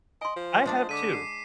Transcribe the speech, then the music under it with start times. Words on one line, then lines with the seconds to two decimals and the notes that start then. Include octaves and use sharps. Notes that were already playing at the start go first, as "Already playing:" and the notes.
I have too.
0.21 D#5 G#5 C6
0.36 F3
0.66 G#3 D4 D5
0.89 D3 D6 B6 D#7
1.13 C7